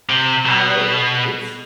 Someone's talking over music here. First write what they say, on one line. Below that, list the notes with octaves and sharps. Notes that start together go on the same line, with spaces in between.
I it's
C3
B2